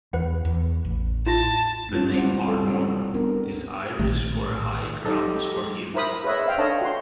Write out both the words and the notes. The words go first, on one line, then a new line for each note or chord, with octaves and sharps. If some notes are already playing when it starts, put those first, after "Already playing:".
The name "Ardmore" is Irish for high grounds or hills.
E2 B4 F#5
E2
A1
E4 F4 A5 A#6
G3 E4 F4
C4 C5 F#5
G3 A4
B3 D4 A#4
A#1 A2 D#3 A3
F#3 D#4 G4 A4
E4 A#4 C5 B5 D#6
G#4 B4 C#5 D#5 E5
C5 E5 F5 G5
D4 A4 C#5 D#5 F5 A5
F#4 C6